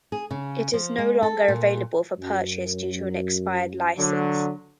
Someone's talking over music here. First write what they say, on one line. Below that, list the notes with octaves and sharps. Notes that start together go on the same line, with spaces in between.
It is no longer available for purchase due to an expired license.
G#4
C#3
F3
G#3
A4
A#2
F#2
D3 F#3